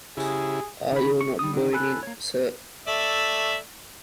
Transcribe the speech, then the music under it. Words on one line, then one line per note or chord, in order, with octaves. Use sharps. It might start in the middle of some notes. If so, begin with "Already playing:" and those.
Are you not going in, sir?
C#3 E4 G4 G#4
D#3 B5
C#6
G3 D#6
D3 D#3
A4 G#5 B5 F#6
A#3 C#5
A3 D5 E5